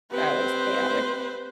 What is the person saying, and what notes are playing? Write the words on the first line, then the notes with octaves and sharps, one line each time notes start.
That was chaotic.
C4 G4 B4 C5